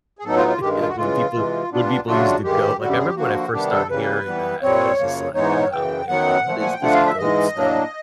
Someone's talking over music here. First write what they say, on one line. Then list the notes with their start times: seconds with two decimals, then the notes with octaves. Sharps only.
Yeah, when people when people use the GOAT, like I remember when I first started hearing that, I was just like, "Oh, man. What is this GOAT stuff?"
0.19 G#4
0.24 A2 F#3 B3 D#4 A4
0.37 F4
0.48 F4
0.61 G2 D#3 G#3 G4
0.80 F4
0.88 F#4
0.97 C#3 E3 G#3 F4
1.33 C3 E3 G#3
1.71 A#2 G3 B3 D4 F4
2.07 C#3 F#3 A3 D4 F4 F#4
2.44 G2 D#3 G#3 G4
2.80 F#2 D3 G3 F#4
2.90 G4
2.98 G#4
3.07 G4
3.16 D3 F3 A#3 F#4
3.53 C3 D#3 G3 B3 D4 G4
3.71 A4
3.90 C#3 E3 G3 A#3 B4
4.26 E3 G3 B3
4.62 A#2 G3 C4 C#5
4.99 F#2 C#3 F3 A#3
5.35 G#2 E3 G#3 B3 D#4 C#5
5.72 F#2 C#3 E3 G5
6.08 F#2 D#3 F#3 B3 F#5
6.45 A#2 F3 A3
6.62 G#5
6.72 G5
6.82 D3 F3 A3 D4 F4 F#5
6.93 F5
7.06 E5
7.18 G#2 E3 G#3 D#5
7.55 A2 F#3 A#3 D4